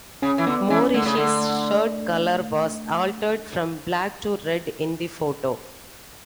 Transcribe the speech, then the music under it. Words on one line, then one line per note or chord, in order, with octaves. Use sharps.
Morrissey's shirt colour was altered from black to red in the photo.
C#3 C#4
E3
D3 B3
E3 C#4
D3 A3
C#3
D3